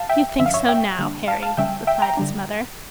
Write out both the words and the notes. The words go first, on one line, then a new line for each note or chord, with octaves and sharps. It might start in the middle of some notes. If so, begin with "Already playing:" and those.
'You think so now, Harry,' replied his mother.
Already playing: F5 A5
E5 G5
G2 D3 F3 C#4 E5
F5
C#5 E5
E5 G5
D3 G3 A#3 D4
F5 A5
F5 A5
C#3 G3 C#4 E5 G5
E5 G5
G5 A#5
D3 G3 D4